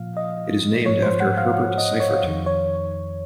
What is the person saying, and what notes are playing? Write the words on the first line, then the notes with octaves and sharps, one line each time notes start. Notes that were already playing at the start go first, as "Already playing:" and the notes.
It is named after Herbert Seifert.
Already playing: A#2 F3 F5
D#5
G#2 F3 C#5
C5
F#5
F5
F#5
D#5
C#5
F2 D#3
C#5